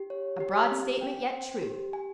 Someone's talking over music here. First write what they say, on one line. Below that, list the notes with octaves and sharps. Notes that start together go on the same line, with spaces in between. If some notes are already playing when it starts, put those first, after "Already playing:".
A broad statement, yet true.
Already playing: G4
C#5
G4
C4
G5
C5
G4
G#5